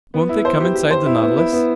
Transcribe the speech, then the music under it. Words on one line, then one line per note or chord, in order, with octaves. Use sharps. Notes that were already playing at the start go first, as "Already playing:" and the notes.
"Won't they come inside the Nautilus?"
B3
E4
C5
G4
G4
C5
E4
B3
E4
B3